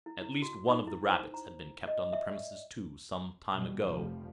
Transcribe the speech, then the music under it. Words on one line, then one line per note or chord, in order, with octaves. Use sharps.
At least one of the rabbits had been kept on the premises, too, some time ago.
E4
E4
F#4
D#4
E4
C5
A#5
D#5
E5
D5
B2 G3
F1 F3 G3